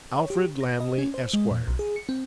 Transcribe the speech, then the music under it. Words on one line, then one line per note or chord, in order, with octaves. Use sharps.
'Alfred Lammle, Esquire.
C#5
G4
A#6
D#5
C#4
C5
G#3
A#2
B1
G#4
C#7
C4